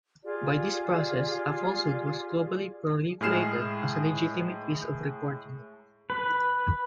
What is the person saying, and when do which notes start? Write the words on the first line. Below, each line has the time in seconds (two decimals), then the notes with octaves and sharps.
By this process a falsehood was globally proliferated as a legitimate piece of reporting.
0.23 F4 G4 G#4 D5
3.21 A2 G#3 G#4 F6 C7 E7
6.10 B4